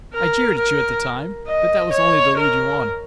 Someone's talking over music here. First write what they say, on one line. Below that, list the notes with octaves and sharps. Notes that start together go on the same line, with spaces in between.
I jeered at you at the time, but that was only to lead you on.
A#4
A#4
D#5
C#5
A#4